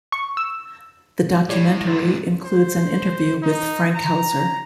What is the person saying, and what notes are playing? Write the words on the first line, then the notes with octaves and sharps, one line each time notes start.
The documentary includes an interview with Frankhauser.
C#6
E6
A2 E4 G4 C#5 D5 G#6
G#2 D3 E4 C6 A6
C5
D#4
A#5